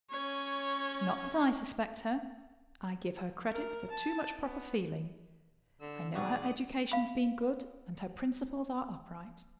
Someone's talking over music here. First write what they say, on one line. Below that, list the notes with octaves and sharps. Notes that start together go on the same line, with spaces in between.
Not that I suspect her--I give her credit for too much proper feeling: I know her education has been good, and her principles are upright.
C#4 C#5
A#4
A5
B3
D3 E6
B1 F#4 G#4 D5 F#5 G5 C#6 D#6
F5 B5